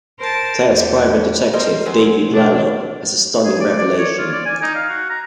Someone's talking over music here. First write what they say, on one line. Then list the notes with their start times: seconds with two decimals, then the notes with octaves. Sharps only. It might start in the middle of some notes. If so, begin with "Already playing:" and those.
Ted's private detective Davey Blalock has a stunning revelation.
0.19 A#4 C5 A5 A6
0.64 E2 G4
1.53 A#4 C5 D#5
1.85 F#3 G#3 C5
2.28 B2 D4
3.45 G#4
3.60 D5
3.79 D5
3.98 C#5
4.18 F4
4.32 D5
4.45 G#5
4.62 D#4
4.75 F5
4.89 F#4
5.10 A#5